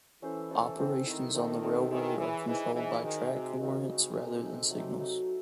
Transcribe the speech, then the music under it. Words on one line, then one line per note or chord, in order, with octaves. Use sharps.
Operations on the railroad are controlled by track warrants rather than signals.
E3 C#4 E4 A4 C5
C#4 E4 A4 C5
C4 E4 C5
D#3 C4 E4 C5
D#3 A3 C4 D#4 A4
A3 C4 D#4 A4
D#3 E4 G#4 C#5 E5
E3 E4 G#4 C#5 E5
E3 D#4 G#4 C5 D#5
E3 D#4 G#4 C5 D#5
D#3 G#3 D#4 F#4
C3 G#3 D#4 F#4
D#3 G#3 C4 D#4
C#3 G#3 C4 D#4
C3 A3 D#4 G#4
A3 D#4 G#4
F#3 A3 D#4
F#3 A3 D#4